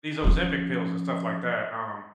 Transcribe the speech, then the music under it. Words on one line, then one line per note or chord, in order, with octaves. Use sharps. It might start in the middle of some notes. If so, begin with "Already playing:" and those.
these Ozempic pills and stuff like that, um
F3 C#4